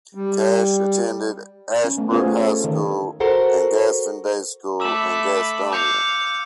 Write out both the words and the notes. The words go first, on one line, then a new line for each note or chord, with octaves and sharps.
Cash attended Ashbrook High School and Gaston Day School in Gastonia.
G3
C#4
A3 B3
B3 C#4 F4 G#4 C5
A3
A4
D#3
F#4 A4 A#4 C5 F#5
A3 B5 D6 E6 E7
F5 D6 G6 C#7